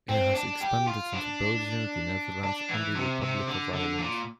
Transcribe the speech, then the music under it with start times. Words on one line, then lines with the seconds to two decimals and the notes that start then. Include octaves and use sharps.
It has expanded into Belgium, the Netherlands and the Republic of Ireland.
0.09 C4
0.34 D4
0.61 G4
0.87 F4
1.13 D4
2.43 D4
2.69 E3
2.95 C3
3.21 C3
3.47 D3
3.73 D3
3.99 A#2